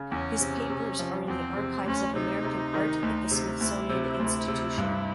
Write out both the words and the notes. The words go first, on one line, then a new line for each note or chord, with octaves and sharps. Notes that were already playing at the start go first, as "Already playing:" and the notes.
His papers are in the Archives of American Art at the Smithsonian Institution.
Already playing: C#3
E2 C#4
C3
C3
F3
E2 C4
C3
D2 C#4
C3 D#4
C3
D#3
D2
C3
D2 E4
C3
D2
C3
G2